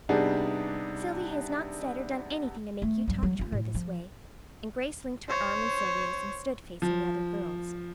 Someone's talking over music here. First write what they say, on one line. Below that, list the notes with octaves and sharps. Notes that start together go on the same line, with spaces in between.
"Sylvia has not said or done anything to make you talk to her this way," and Grace linked her arm in Sylvia's, and stood facing the other girls.
C3 G3 B3 D4 D#4 G#4
A3
G2 F#3
F#3
D2 F4
A2
F3
C5 C#5
F3